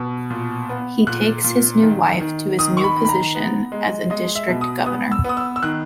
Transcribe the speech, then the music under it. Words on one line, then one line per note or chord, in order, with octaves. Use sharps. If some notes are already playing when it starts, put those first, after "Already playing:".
He takes his new wife to his new position as a district governor.
Already playing: B2
A#2
B3
A#2 F#6
A#2
D#3
D#3
D#3 D#6
C#6
B5
D#3
B5
A#5
B3
G#3
G#3 D#5
E5
B2
D#6
B3 D#6
E6
B3 D#6
E6
E6
D#3 F#6